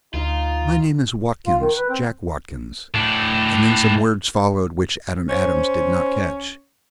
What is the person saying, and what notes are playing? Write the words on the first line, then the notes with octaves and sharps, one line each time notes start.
"My name is Watkins--Jack Watkins," and then some words followed which Adam Adams did not catch.
D2 D#4 F4
F4
D#3
B4
C4
A2 D4
C#4 C5